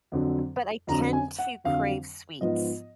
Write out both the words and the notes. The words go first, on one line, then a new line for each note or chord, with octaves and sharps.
but I tend to crave sweets.
F2 D3 F#3
F2 D3 F#3 A#5
G#5
F#5
F2 D3 F#3 F5
G#2 F3 B3 F4 D#5